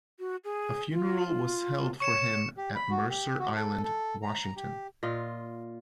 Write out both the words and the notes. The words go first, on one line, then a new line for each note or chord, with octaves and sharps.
A funeral was held for him at Mercer Island, Washington.
F#4
G#4
F4
C#5 C#6 C#7 E7
G4
B5
F#4
G4
F#4
A4
A4
A#5
G4
A#2 F4 D#5